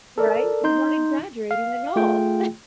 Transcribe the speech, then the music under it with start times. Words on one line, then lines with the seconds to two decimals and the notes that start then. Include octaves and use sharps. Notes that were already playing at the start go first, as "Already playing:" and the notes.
Right? You weren't exaggerating at all.
0.18 A4 A#4 D5
0.64 D#4 C6 G6
1.51 F5
1.96 A3 F4 G#4 G5